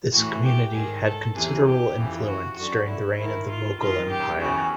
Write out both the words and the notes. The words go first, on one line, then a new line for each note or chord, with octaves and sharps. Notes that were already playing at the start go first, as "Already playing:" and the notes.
This community had considerable influence during the reign of the Mughal Empire.
A2 E3 F#4
G4
G#2 D#3 G#4
A4
E2 C3 E3 G#4
G4
F2 C#3 E3
F#4
F#2 D3 F#4
E4
G#2 D#3 E4
F4
F#2 D#3 F4
G4
E2 C#3 E3 F#4